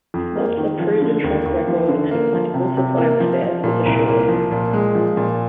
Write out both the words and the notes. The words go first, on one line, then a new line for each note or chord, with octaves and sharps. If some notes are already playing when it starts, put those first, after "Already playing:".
Thus a proven track record and a plentiful supply of spares was assured.
F2
A#3
D#3
F3
D3
D#2
D#2
F3
D3
A#3
F3
C3
C3
A#3
F3
F3
A#2
C2
A#3
F3
A#2
G#3
F3
A#2